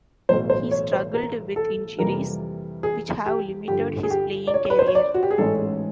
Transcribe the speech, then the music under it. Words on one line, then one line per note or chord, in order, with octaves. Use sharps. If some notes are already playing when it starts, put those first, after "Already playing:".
He struggled with injuries, which have limited his playing career.
B1 A2 E3 C5
C5
C#5
C5
A#4
A4
F2 C3 E3 G3 A#3 A#4
G#4
G4
G2 D3 F3 G4
G#4
G4
D5
C#5
B4
C5
C#5
D5
F#4
G4
G#4
A1 G#2 E3 G#3 C#4 A4